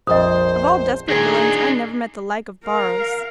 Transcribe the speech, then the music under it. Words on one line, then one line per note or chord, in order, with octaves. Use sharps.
Of all desperate villains I never met the like of Barros.
A#1 F2 C5 D#5 D#6
A#2 D#3 D4 D#4 G#4
A#4 F5